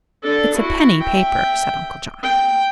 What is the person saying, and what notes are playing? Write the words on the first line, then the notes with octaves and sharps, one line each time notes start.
"It's a penny paper," said Uncle John.
D4 A4
E4 F#4
E5 G5
G5